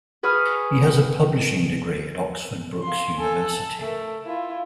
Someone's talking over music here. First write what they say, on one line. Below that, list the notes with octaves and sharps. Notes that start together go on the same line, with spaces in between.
He has a publishing degree at Oxford Brookes University.
G#4 B4 G#5 C#6 D#6 F6
F5 C6
A4 G#5
A5
A3 A#4
E4 F4